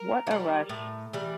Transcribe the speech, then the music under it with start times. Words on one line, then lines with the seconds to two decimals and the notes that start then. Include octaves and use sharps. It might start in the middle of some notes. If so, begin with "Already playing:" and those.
What a rush.
Already playing: A#4
0.27 E3
0.31 G3
0.69 A2
1.13 E3 G3